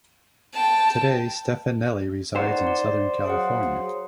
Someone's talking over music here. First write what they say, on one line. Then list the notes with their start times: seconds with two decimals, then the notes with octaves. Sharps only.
Today, Stefanelli resides in Southern California.
0.53 G5 A5
2.36 D#4 C5 D5 F#5
2.67 D5
3.25 F#3 G#4 F5 F#5